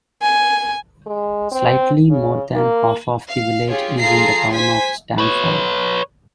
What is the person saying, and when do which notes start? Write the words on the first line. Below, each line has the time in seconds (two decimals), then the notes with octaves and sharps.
Slightly more than half of the village is in the town of Stamford.
0.22 G#5
1.06 G#3
1.52 C4
2.10 C#3
2.55 A#3
3.28 F5
3.68 F4 G4 G#4 C#5
3.99 F4 G#4 A4 F5 A#5 C7
4.51 C5 G#5 B6
5.18 B4 C#5